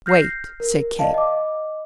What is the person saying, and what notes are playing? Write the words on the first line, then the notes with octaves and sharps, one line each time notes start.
"Wait!" said Kate.
F6 G6 A#6 C7
A#4
D5 D#5 F5 A5
D#5 D6